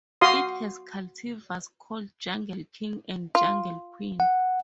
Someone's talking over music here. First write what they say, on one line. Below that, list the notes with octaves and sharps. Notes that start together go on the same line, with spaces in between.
It has cultivars called Jungle King and Jungle Queen.
F#4 F5 C6 D#6
F4
F#5